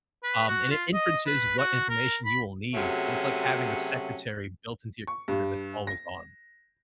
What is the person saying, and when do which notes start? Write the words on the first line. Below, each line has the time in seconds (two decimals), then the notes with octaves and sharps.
um, and it inferences what information you will need, so it's like having a secretary built into your computer that's always on.
0.23 B4
0.48 F#4
0.71 F4
0.94 D#5
1.27 B4
1.58 F#4
1.89 A#4
2.25 B5
2.74 C3 F#3 A3 C#4 F#4 G#4
5.07 C#6
5.28 G2
5.87 A#6